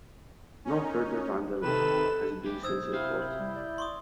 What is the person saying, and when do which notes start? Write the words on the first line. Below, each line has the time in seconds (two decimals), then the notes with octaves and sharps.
No further vandalism has been since reported.
0.65 C#4 D#4
1.63 C3 D#3 A4 B4 E7
2.43 D2 E3 G4
2.63 B1 G#2 C5 D#6 E6 G#6
2.92 C3 C4 E4 F5 G6
3.39 G3
3.56 D5
3.78 C6 C#6 D#6